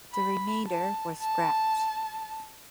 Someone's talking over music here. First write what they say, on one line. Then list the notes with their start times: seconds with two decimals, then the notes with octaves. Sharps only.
The remainder were scrapped.
0.12 B5
0.66 A5
1.19 A5